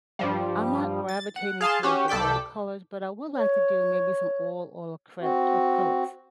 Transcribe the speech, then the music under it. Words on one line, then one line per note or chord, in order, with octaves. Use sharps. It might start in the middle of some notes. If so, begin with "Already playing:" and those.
I'm not gravitating towards the watercolors, but I would like to do maybe some oil or acrylic acrylics.
G2 F3 G3
A6
F#5
G#4 F5 A5 C6
C#4 F#4 G4
C2 A4 D5 G5 B6
C#5
C4 F#4